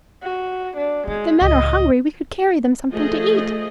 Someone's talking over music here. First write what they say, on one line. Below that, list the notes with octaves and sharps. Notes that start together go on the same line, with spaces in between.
If the men are hungry we could carry them something to eat.
F#4
D4
D#3 G#3
C#2 A2 D#5
F3 A3 G#4 D#5